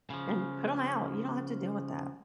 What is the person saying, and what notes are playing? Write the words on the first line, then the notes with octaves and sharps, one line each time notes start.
An put 'em out, you don't have to deal with that.
C#3 F3